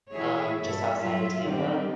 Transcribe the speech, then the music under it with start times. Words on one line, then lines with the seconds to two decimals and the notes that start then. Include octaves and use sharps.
um, just outside of Tampa,
0.12 E3 E4 F#4 G#4 C#5 E5
0.61 G2 B3 A4 C#5 E5
1.01 F#3 F4 E5
1.44 D3 D#3 G3 C4 D#4 G4